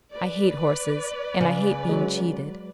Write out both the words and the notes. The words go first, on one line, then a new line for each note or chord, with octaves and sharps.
"I hate horses, and I hate being cheated."
B4 D5
C#3
F#3 G#3